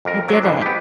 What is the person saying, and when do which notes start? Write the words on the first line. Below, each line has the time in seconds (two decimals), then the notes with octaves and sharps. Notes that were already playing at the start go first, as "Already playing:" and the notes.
I did it.
0.05 F2 A#4
0.28 F#3 D4
0.43 F2 G#2 B2
0.62 B3 G4